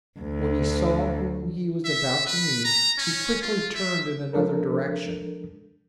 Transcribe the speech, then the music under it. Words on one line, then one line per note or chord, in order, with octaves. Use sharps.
When he saw whom he was about to meet, he quickly turned in another direction.
D2
E5
B4
A#5
C#4
F4
E5
F3 G#3 D4 A4 A#4